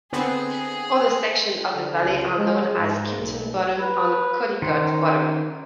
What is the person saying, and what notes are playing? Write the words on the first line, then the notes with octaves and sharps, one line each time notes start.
Other sections of the valley are known as Kimpton Bottom and Codicote Bottom.
D3 B3 C4 G#4
D3
C#2
G#3
G#2
B1
B4
D#3 C#4 C5